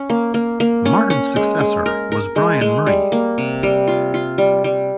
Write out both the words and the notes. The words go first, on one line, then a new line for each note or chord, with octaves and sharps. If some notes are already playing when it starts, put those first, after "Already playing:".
Martin's successor was Bryan Murray.
Already playing: C#4
A#3
A#3
A#3
C#4
C#4
G#3
G#3
A#4
A#4
G#3
G#3
G3
A#3
C3
G3
F4
F4
G3
G3